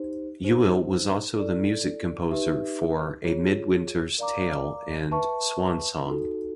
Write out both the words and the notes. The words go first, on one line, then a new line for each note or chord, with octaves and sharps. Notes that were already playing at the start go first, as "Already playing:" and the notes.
Yuill was also the music composer for "A Midwinter's Tale" and "Swan Song".
Already playing: D#4 G4 C5
D#4 G4 C5
E4 A4 D5
D#4 G4 B4 E5
F4 G#4 C#5
A#4 D5 F5 A#5 D6
B4 E5 A5 C#6
D#4 F#4 A4